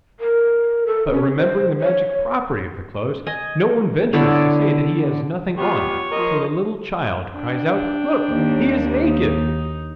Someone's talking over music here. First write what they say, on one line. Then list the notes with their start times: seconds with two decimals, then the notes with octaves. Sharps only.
But remembering the magic property of the clothes, no one ventures to say that he has nothing on till a little child cries out: "Look, he is naked!"
0.20 A#4
0.86 A4
1.12 C#4
1.37 C5
1.81 C#5
3.27 D#5 G#5
4.13 D3 B3 E4 C#5
5.58 B3 F4 G4 C#5
6.11 F3 A#4 D#5
7.35 D4 G5
8.30 D#2
9.08 D#4